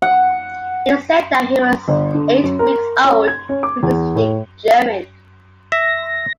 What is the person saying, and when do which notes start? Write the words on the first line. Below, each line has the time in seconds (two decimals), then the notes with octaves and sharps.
It is said that when he was eight weeks old, he could speak German.
0.02 F#5
1.88 G1
2.14 D3
2.43 F#2
2.59 A#4
3.04 C#4
3.28 G#6
3.49 C#4
3.63 D6
3.83 E2
4.16 A2
5.72 E5 A#6